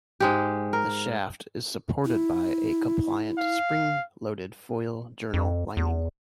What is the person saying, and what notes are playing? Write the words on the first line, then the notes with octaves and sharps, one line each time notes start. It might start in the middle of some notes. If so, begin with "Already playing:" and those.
A shaft is supported by a compliant, spring-loaded foil journal lining.
G#2 G#3 G4
A#4
E4
F5
F2
E2